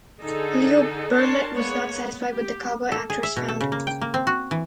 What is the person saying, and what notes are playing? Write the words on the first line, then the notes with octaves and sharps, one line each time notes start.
Leo Burnett was not satisfied with the cowboy actors found.
D3 D#4 G#4 A4
D4 A#4 C#5 A5 C6
G#3 A#3 B3 C#5
B3
G4
A4
G#4
E5
B2
A4
C#3
A#3
G5
A#3
C4
F#4
E3